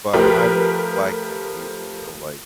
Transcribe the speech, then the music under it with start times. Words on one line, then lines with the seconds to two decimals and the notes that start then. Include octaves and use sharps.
But I'm Black and Asian, so, like,
0.13 F3 A3 G4 A#4 B4